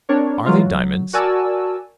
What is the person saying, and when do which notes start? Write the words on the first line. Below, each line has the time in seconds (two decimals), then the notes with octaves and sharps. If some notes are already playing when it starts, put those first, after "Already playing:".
"Are they diamonds?"
0.09 C4 D4 A#4 C#5
0.46 E3 F#3 G#3 F4
0.63 F#3
1.13 F#4 A#4 D5 G#5 A5 E6